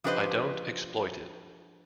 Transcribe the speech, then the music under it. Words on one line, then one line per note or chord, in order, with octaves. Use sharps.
I don't exploit it.
F3 D4 G4 B4 C5 D#5